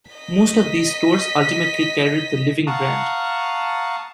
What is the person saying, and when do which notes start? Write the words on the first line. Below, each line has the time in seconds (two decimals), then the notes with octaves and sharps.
Most of these stores ultimately carried the 'Living' brand.
0.11 D#5 B6
2.67 F5 F#5 A5 A#5 C#6 D#6